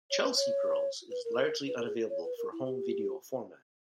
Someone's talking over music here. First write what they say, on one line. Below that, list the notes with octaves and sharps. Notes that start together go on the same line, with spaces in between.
"Chelsea Girls" is largely unavailable for home video format.
C#5
B4
C#5
B4
A#4
B4
A#4
G#4
C#5
B4
A#4
E4
G4